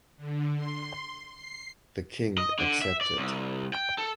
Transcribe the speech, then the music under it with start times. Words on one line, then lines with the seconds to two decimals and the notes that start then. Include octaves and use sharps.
The king accepted.
0.17 D3
0.56 C6
1.31 C7
2.38 D#5
2.59 D3
2.82 E5
3.01 D5
3.18 C2
3.73 G5
3.98 A4